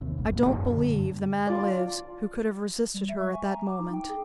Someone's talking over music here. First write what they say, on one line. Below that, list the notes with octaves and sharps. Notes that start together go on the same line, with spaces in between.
I don't believe the man lives who could have resisted her at that moment.
D#2 C3
F#1 B1 G2 A#2
D1 G#2 B2 A#3
F#2 A#2
G2 D3
F4 D5
G3
E5
C#6
G#5
A#5
D6
D#4
G5
G#4